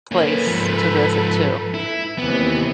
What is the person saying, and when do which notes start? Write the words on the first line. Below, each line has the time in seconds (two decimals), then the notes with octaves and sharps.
place to visit too.
0.12 A#3 C#4 A4 B4
0.47 G#2 F3
1.74 E4
2.19 D#2 C3 E3 B3